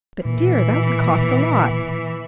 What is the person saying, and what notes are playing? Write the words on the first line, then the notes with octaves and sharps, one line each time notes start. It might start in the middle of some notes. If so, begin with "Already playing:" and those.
But, dear, that would cost a lot!
A#2 E3